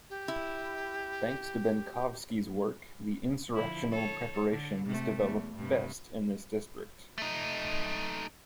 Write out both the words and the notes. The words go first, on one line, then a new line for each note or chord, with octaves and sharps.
Thanks to Benkovski's work, the insurrectional preparations developed best in this district.
G4
E4
D3 F3 E4
A4 C#5
D3
C3 A3
E2
G2 C3
A3 D#4